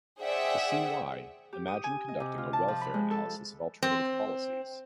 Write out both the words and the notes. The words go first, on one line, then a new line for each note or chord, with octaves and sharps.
To see why, imagine conducting a welfare analysis of alternative policies.
G#4 C5 D5 E5 F#5 G5
G4
D#6
G#5
D#5
C3
F4
A5
F3
B5
G#3
A4
C4